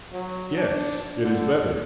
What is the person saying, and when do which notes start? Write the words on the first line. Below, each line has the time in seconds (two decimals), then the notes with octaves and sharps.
"Yes, it is better."
0.13 F#3
0.56 D4
1.24 D3